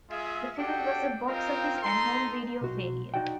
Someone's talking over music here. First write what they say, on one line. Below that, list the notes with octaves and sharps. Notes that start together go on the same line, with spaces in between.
The film was a box office and home video failure.
G#3 F4 G#4 E5
D4 F#4 G4 A4 G5
C4 D#4 F4 A#4 F5 G5
D#4 A4 A#5 C6
B1 F#4
D#4 E4 F#4 D5 F#5 G5